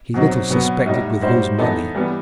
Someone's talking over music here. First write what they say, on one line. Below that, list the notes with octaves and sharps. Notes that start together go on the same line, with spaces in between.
He little suspected with whose money.
B2 F#3 C4 D#4 F#4
B2 F#3 B3
A2 G3 D#4
A2 G3 D#4 F#4 C5
E3 B3 D#4 A4
E3 G3 B3